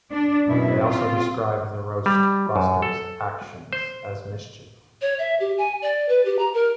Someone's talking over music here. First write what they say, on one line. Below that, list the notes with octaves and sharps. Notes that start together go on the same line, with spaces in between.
They also described the Roast Busters' actions as "mischief".
D4
F#2 B2 E4
C4 F4
G3
F#2
A4
C5
C#5
E5
G4
G#5
D5
B4
G4
A#5
A#4